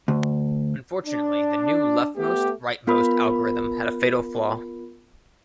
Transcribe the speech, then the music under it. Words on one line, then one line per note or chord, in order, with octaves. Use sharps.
Unfortunately the new leftmost-rightmost algorithm had a fatal flaw.
D2
D4
A3 B3 G4
B3 F4 A#4 B5